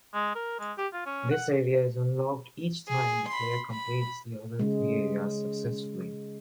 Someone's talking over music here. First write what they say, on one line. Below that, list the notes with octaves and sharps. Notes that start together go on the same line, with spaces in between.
This area is unlocked each time the player completes the other three areas successfully.
G#3
A#4
G#3
G4
F4
C#4
F#5
G#4
B5 C6
B5
C#3 G#3